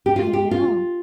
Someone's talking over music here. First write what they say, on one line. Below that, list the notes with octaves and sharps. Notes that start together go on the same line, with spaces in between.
I know.
G4
F4
G4
F4